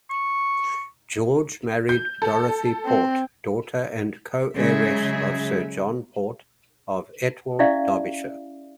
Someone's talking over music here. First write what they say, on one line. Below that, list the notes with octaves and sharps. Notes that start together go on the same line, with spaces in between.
George married Dorothy Port, daughter and co-heiress of Sir John Port of Etwall, Derbyshire.
C#6
G6
A4
C4
C#3 F#3 G#3 G#4 E5
C#4 E4 G4 D5 E5 F5